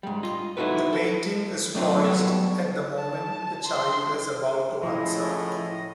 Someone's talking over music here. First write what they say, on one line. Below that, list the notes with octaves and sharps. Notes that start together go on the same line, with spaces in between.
The painting is poised at the moment the child is about to answer.
G#2 G3
F4 D#5
D#4 E4 F#4 A4 B4
A4
A2 F#3 A3 C4 D4 F4
F#3 G3 B3 A4 C#5
A5
C6
A2 C#3 F3 E4 D#5